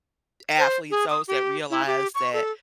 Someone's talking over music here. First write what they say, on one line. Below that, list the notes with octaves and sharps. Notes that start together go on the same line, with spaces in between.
athletes those that realize that
C5
G#4
D#6
G4
E4
G4
C#6
A4